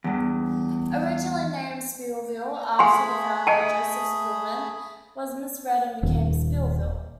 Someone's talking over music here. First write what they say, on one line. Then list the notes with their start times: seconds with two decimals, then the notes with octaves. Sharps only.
Originally named Spielville after the founder, Joseph Spielman, it was misread and became Spillville.
0.04 E2 G2
2.79 A3 G#4 G#5 B5 C6
3.47 D#5 G#5 A5
6.03 D#1